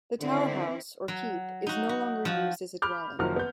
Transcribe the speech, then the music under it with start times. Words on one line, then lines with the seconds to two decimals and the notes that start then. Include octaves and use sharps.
The tower house, or keep, is no longer used as a dwelling.
0.20 D3 D#3 C4 E4
1.08 F#3
1.67 D#4 F#4
1.89 F#4
2.25 F3 F#4
2.82 B5 D6 F6 G6
3.19 F#1 D#3 F3 F#3 F6
3.36 B3 G6